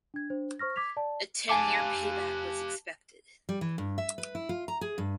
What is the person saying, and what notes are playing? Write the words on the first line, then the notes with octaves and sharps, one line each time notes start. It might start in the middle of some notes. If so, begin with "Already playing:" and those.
A ten year payback was expected.
D4 G#6
D4 C5
C5 C#6 F6 A#6
D6 G#6 B6 F7
D5 A5
G4 F5 G#5 A5 D6
G3
E3
G2
E5
B4
E4
F4
A#5
G#4
G2